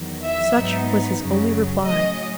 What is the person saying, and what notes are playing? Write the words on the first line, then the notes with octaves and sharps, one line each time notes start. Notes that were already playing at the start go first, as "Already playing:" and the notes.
Such was his only reply.
Already playing: E2 D#3 F#3
E5
G#2 F#3 B3 D#4
F#2 C#3 F#3
A2 F#3 C#4 D#5